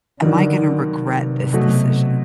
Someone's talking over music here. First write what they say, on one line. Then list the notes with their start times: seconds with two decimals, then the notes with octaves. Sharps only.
"Am I gonna regret this decision?"
0.21 G2 D3 D#3 F#3
0.88 C3
1.52 B2 F#3 A3